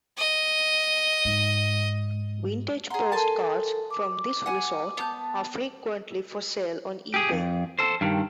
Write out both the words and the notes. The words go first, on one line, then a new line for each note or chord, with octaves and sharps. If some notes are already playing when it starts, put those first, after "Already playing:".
Vintage postcards from this resort are frequently for sale on eBay.
D#5
G#2
G#4 F#5 A#5 C6
A4 A#4 G#5 A5 C6
D6
F#5 G#5
B3 A5 G6
G4 G#4
F2
A4 C5
G2 D#3